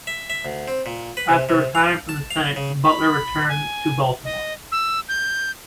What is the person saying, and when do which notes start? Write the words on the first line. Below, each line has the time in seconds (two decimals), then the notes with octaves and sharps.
After retiring from the Senate, Butler returned to Baltimore.
0.07 E5
0.30 E5
0.45 D2
0.68 C4
0.86 A#2
1.17 B4
1.29 C3
1.49 C3
1.75 F5
2.09 A5
2.31 F5
2.56 C#3
2.83 B5
3.49 G#5
4.25 D#5
4.72 E6
5.09 G6